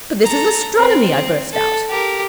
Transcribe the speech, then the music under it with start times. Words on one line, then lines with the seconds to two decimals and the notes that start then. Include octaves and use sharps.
'But this is astronomy,' I burst out.
0.23 A4 A#5
0.76 C4
1.53 A4
1.89 G4 A#4